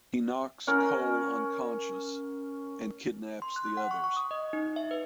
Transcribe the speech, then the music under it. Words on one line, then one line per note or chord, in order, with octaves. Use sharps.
He knocks Cole unconscious and kidnaps the others.
C#4 A#4 F#5
C6
F#6
F#5
C#6
C#6
D#6
D#5
D#4
E5
B4